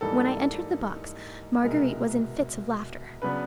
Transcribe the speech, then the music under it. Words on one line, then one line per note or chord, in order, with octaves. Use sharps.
When I entered the box Marguerite was in fits of laughter.
G#2 E3 G3 A#3 D4 A4
C2 B2 G#3 A#4
C#3 F#3 B3 D4 B4